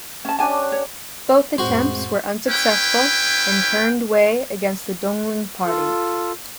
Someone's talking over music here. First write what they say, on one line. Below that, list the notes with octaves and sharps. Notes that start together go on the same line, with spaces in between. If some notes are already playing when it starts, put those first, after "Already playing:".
Both attempts were unsuccessful, and turned Wei against the Donglin party.
C#4 A5
C#4 D4 G4 G#5 A5
C#5
F2 A2 G#3 C4 F#4 C5
C#4 E4 B4 G5
F4 A4